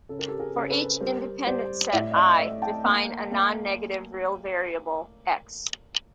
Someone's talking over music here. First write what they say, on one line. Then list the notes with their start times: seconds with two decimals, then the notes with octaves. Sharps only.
For each independent set "I", define a nonnegative real variable "x".
0.09 C#3 A4
0.19 A#4
0.28 G4 A4
0.39 G#4 A#4
0.55 C#3
0.65 C5
0.70 A4 B4
1.01 G3 A#4 C5
1.47 G3 C5 D5
1.93 A2 D5 E5
2.11 D#5
2.16 D5 E5
2.31 D#5
2.39 A3 D5 E5
2.62 G5 A5
2.85 A#3
3.31 A#3